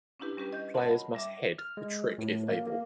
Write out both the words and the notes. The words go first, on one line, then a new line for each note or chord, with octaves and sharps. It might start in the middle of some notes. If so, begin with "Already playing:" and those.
Players must head the trick if able.
C#4 D4 E4 G4 B4
G3 C#4 G4 B4
D#5 G6
A#4 C#5 D#5 F#5 A5 C6
B5
G3 E5 D6
F6
G#3
A2
A#3
A#3